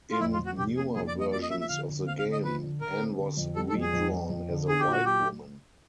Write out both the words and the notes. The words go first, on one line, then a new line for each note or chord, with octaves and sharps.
In newer versions of the game, Anne was redrawn as a white woman.
F4
F2 E4
F4
F2
F#4
C3 G4
A#3 G#4
F2 G#4
D5
A#3
D#5
F3 D5
D#5
F3 E5
E5
D3 F5
D3
C4 F5
F5
D3
D#5
F3 B4
D3
D3 A#4
C4
D3
F2
G3 A4
A4
F2
G#4
F2
F2
F2
D3
D4 G#4
G4
A#2
F#4
F#3 G4